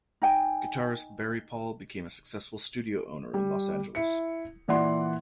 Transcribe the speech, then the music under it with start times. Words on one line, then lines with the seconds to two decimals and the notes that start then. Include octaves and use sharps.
Guitarist Barry Paul became a successful studio owner in Los Angeles.
0.22 D#4 G5 G#5
3.34 G3
3.95 E4 C#7
4.68 A#2 E3 D5 F#5 C6